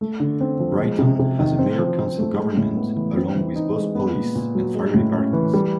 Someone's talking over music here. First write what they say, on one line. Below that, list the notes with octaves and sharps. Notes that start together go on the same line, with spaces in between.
Brighton has a Mayor-council government, along with both Police, and Fire Departments.
A3
D3
C4
F3
G#3
C3
C3
D#3
C4
F3
F3
A3
G#3
A2
B3
E3
C4
E3
D#4
G#3
B3
A#2
A#2
F#3
G#3
A2
C#4
E3
G3